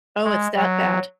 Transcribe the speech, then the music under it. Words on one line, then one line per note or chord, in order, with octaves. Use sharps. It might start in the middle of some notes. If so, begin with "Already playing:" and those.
Oh, it's that bad?
G#3
F#3